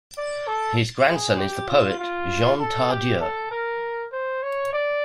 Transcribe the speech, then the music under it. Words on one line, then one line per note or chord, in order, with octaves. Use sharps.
His grandson is the poet Jean Tardieu.
D5
A4
G#4
G4
F4
F4
A4
G4
A4
A#4
C5
C#5
D5